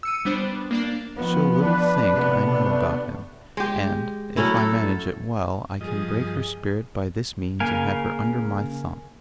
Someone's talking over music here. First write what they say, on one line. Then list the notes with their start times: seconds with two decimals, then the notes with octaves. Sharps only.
'She'll little think I know about him; and, if I manage it well, I can break her spirit by this means and have her under my thumb.
0.03 E6 C#7 D#7
0.25 G3 B3 D4 C5
0.71 A#3 D4 D5
1.16 D#3 F3 B3
1.60 D4 B4
2.11 C3 B3
2.45 A3 D4
3.57 G#3 G4
4.37 F#3 A3 C#4 E4
4.57 A4
5.81 G2 F3 G#4 D#5
7.60 C#3 A#3 A#4 G#5